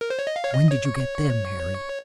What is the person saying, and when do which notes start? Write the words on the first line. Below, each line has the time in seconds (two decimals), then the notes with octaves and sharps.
"When did you get them, Harry?"
0.01 A#4
0.10 C5
0.19 C#5
0.27 D#5
0.36 F5
0.44 C#5
0.53 D#5
0.70 C#5